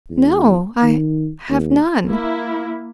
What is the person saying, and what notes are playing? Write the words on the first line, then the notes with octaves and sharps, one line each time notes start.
"No; I have none."
E2
D#3
D#2
A#3 E4